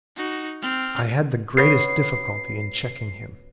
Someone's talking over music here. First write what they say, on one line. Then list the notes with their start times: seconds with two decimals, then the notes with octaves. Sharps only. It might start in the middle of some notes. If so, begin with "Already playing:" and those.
I had the greatest difficulty in checking him.
0.16 D#4 F#4
0.62 C4 F6
1.57 B2 B3 C#4 C7